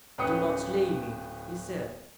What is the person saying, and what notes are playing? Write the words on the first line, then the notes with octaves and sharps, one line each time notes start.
"Do not slay me," he said.
D1 C#4 B4 G5 D#6 C#7